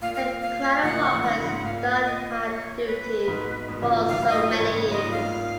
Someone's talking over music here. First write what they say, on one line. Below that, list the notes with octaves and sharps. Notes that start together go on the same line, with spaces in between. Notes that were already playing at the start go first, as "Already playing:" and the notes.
The cradle-rockers had done hard duty for so many years.
A#2 F5
F5
F5
A#2 C#3 F#5
A#2
A#2
A#2 C#3
G#2 F#5
G#2
A#2 F5
D#5
C#5
B4
G#2 B2
G#2 B2
A#2 C#3
C#3 F3
D#3 F#3 F5
G#2
D#5
A#2
A#2 C#5
G#2 B2
A#2 C#3
G#2 B2
G#2 D#5
A#2
F5
G#2
A#2